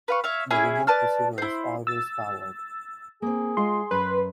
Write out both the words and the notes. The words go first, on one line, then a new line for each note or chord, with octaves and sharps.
The remote receiver is always powered.
B4 F5 C#6
C#5 E5 F5
C#4 E4 G#4 E5
B4 D5 A5 F6
E4 C5
E6 A6
A#3 C4 G#4
G#3 F4 D#5 C6
F#2 B4